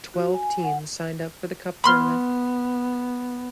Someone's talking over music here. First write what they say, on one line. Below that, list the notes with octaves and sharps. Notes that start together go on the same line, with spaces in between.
Twelve teams signed up for the Cup tournament.
F#4
G#5
F#5
B3 B5 C6 F6